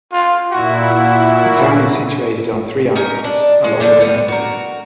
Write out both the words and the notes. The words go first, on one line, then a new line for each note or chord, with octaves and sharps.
The town is situated on three islands, along with the main land.
F4
A#2 E4 F#4
C#4 D#4 A#4
D4
G#3 C#4
D3 F3 G3 D4
G3 B3
F#4 A#4